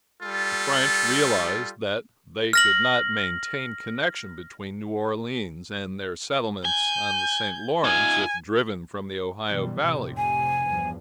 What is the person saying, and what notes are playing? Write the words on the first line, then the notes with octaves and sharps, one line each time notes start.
The French realized that they could not maintain connection between New Orleans and their settlements on the St. Lawrence, if driven from the Ohio valley.
G3 F4 A4
F6 A#6 F#7
G#5 G6
D#4 F4 G#5
B2 E3 G3
F1 A2 C3
G#5
E2 G2 F3